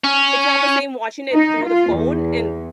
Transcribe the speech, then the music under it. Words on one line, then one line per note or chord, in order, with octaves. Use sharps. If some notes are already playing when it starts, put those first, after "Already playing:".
it's not the same watching it through the phone and
C#4
D#4
F4
E2